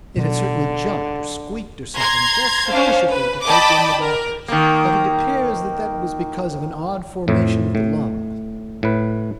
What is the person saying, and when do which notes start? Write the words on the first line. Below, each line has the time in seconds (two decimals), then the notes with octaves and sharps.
It had certainly jumped or squeaked or something just sufficiently to take in the doctors, but it appears that that was because of an odd formation of the lungs.
0.17 B2 D3 F#3
1.97 A#5 C6 G#6
2.70 C#4 D4 C5 F5
3.12 B4
3.45 D5 D#5 G5 A5 B5 D6
4.00 A#4
4.48 D#3 A#3
7.28 F2 A2
7.75 A2
8.83 A2 B4